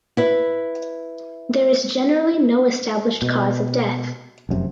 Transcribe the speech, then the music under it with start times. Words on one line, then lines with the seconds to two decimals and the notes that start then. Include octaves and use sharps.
There is generally no established cause of death.
0.17 E4 B4
3.22 B2
4.49 F1 F#2 C3